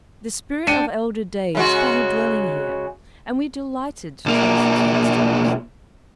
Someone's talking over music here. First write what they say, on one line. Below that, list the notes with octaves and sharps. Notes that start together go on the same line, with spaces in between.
The spirit of elder days found a dwelling here, and we delighted to trace its footsteps.
D4 G5 A5 C#7 D#7
C#3 G#3 F#4
B1 A#3